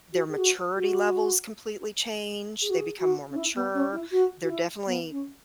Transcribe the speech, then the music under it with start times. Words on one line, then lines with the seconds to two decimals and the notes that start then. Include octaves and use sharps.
their maturity levels completely change, they become more mature they're definitely
0.13 F#4
0.29 G#4
0.38 F#4
0.75 F#4
2.62 G#4
2.70 F#4
2.78 G#4
3.00 F#4
3.31 C#4
3.36 E4
3.55 B3
3.74 C#4
3.92 E4
4.11 F#4
4.43 F#4
4.48 E4
4.86 B3
5.11 C#4